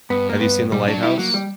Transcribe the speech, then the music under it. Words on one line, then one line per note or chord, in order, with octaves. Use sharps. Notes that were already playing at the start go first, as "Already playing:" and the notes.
Have you seen The Lighthouse?
G2 B3
A#3
B3
A#2 G3
F#3 D4
G3 E4
F#3 A#3
G3